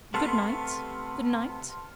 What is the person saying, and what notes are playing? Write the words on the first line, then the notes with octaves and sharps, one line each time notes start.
Good-night. Good-night.
C3 A3 B3 A5 C6 F6